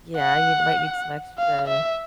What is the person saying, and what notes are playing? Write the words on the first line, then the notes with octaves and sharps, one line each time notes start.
yeah, you’d might need some extra
F#5
F5
E5